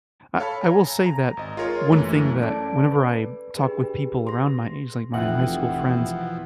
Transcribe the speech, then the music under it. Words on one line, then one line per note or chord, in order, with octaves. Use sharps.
I I will say that one thing that whenever I talk with people around my age, like my high school friends,
A4 C#5 F5 A5 B5
G#5 A#5
A#5
G#1 D#5
F4 G#4 A#4 C#5
F#2 E3 A3 A#3
C#4 A4 D5 A5 G#6 D7
B4
D4 G4 G#4 B4
C6 A#6
F1 B2 E3 F3 E5 F#5 G5